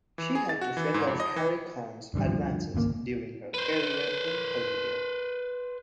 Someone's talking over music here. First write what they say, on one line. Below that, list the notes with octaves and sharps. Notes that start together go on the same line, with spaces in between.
She had to fend off Harry Cohn's advances during her career in Columbia.
E3
G#4
A6
F#4
E3
G#2
F2
D#5
E3
G#1 D3 D#3 G3
D2 G2 F3
G#1 C#2 B2 A#3
B4 C5